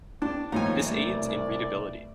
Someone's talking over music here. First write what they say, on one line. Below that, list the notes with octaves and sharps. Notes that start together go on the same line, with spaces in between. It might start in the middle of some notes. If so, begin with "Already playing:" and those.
This aids in readability.
D4 G5 A5
D#2 A2 F3 D#4 F4 C#5 G#5
C2 B2 A3 D5